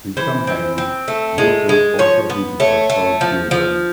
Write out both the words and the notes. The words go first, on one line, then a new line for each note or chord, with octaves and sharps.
In some houses water was also heated by solid fuel burners.
E3 C5
C4
C4
A3
G#3
G#3
F3 C#5
B3
A3 C#5
A3
F3
F3